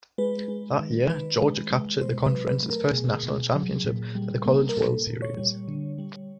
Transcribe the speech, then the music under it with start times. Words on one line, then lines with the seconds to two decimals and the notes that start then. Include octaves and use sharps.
That year, Georgia captured the conference's first national championship at the College World Series.
0.18 G#3 B4
0.48 G#3
0.79 D#3
1.10 D#3 B4
1.40 G#3
1.71 G#3
2.01 B2 C5
2.25 B4
2.32 F#3
2.47 B4
2.63 A3
2.70 A#4
2.93 B2 G#4
3.23 B2
3.54 F#3
3.85 A#2
4.15 G3
4.46 A#3
4.69 A#4
4.77 A#2 A4
5.07 A#2
5.22 C#5
5.37 G3
5.68 D3
5.98 G3